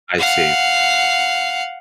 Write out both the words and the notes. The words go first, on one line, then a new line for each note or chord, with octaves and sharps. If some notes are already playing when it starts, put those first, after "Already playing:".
I see.
F5 F#5